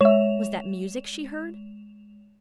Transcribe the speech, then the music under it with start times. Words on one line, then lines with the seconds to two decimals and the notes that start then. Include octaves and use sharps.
Was that music she heard?
0.01 G#3 C#5 E5 E7 F7